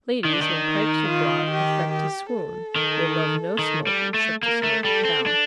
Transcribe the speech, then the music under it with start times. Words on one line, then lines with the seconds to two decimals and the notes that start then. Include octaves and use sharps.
Ladies, when pipes are brought, affect to swoon; They love no smoke, except the smoke of Town.
0.25 D#3 D4
0.33 D3
0.42 D#3
0.67 D#4
1.09 F4
1.50 G4
1.92 G4
2.34 A4
2.76 D#3
3.59 D#3
3.87 G3
4.14 A3
4.43 A#3 A#4
4.63 A3
4.84 G3 A4
5.05 C4
5.26 D4